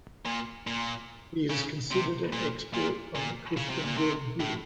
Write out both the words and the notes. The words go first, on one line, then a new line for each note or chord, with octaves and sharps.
He is considered an expert on the Christian Worldview.
A#2
A#2
C#3
C3
A#2
A#2
A#2
C#3
C3
A#2
C3
A2